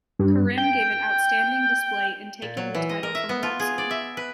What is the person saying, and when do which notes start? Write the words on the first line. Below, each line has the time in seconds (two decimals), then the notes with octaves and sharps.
Karim gave an outstanding display in taking the title from Watson.
0.19 G2
0.58 G5
2.42 A#2
2.57 F#3
2.75 E3
2.89 D#5
3.03 A#4
3.15 E5
3.29 B3
3.43 F4
3.60 G#4
3.78 D5
3.91 E5
4.17 B4